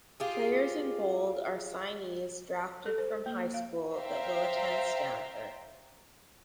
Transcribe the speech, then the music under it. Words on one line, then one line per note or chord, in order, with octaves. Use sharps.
Players in bold are signees drafted from high school that will attend Stanford.
F4 G4 G#4
A4
C5
A#3
F5
C5 E5 F5 G5 A#5